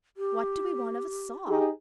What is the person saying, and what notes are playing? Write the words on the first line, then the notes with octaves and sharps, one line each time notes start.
"What do we want of a saw?"
G4
D#4 G4 G#4